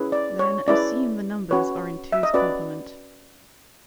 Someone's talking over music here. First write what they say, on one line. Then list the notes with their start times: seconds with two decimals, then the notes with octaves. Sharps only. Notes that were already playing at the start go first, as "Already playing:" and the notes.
Then, assume the numbers are in two's complement.
Already playing: C#4 E4 G#4 B4
0.12 D5
0.39 C#5
0.68 C#4 E4 G#4 B4 D5
1.51 C#4 F#4 B4 C#5
2.12 E5
2.23 D#5
2.34 C#4 F#4 B4 D5